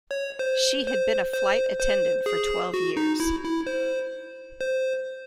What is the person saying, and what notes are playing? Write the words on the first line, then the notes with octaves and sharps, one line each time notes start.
She had been a flight attendant for twelve years.
C#5
C5
C5
C5
C5
G#4
F#4
D#4
E4
E4
C5
C5